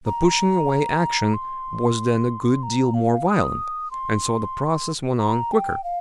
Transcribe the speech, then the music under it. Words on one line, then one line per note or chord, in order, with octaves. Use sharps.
The pushing away action was then a good deal more violent, and so the process went on quicker.
A#5
C6
A#5
F5
D#6
C6
A#5
G5
F5